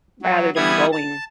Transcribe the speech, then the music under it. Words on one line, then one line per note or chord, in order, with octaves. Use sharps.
rather than going
F#3
E3 G3 B3 E4 D#6 G#6
A5